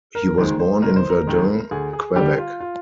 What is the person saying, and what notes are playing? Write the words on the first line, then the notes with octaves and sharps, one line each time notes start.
He was born in Verdun, Quebec.
A#4
D#2 D#3 G#3 C5
C5
F1 A#4
C5
A#4
D#2 D#3 G#3
D2 G#4
G#4
D3 G3 G4
F4
F4